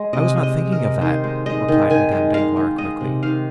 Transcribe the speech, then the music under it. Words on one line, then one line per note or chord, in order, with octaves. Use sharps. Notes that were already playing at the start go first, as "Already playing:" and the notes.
"I was not thinking of that," replied Madame Danglars quickly.
Already playing: G#3
C3 D#5
G#3
D#5
G#3
A#4
C3
D#3 C5
G#3
G#3 D#5
D#3
D#3 G#5
G#3
G#3 F5
D#3
G#3 D#5
C3
D#3 F5